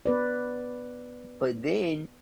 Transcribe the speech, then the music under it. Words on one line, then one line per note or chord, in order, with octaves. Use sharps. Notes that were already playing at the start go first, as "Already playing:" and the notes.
but then,
B3 B4 D5